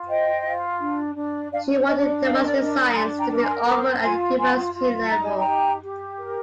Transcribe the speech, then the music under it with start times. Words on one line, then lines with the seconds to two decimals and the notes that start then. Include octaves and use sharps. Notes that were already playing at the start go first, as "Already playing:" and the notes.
She wanted Domestic Science to be offered at the university level.
Already playing: F4
0.08 C5 D#5 G5
0.44 F4
0.80 D4
1.15 D4
1.52 D4 D5 F5
1.70 D5
1.88 D4 D#5
2.06 D5
2.24 A#4 F5
2.33 D#5
2.44 D5
2.54 D#5
2.59 D4
2.87 A#5
2.94 D4 G#5 C6
3.19 G5 A#5
3.31 A#4
3.37 D6
3.43 G#5 C6
3.66 C5 A#5 D6
4.02 F4 G#5 C6
4.38 F4 G#5 C6
4.73 F4
5.09 D#4 A#5
5.23 G#5
5.36 G5 A#5
5.45 G4
5.81 G4
6.17 A#4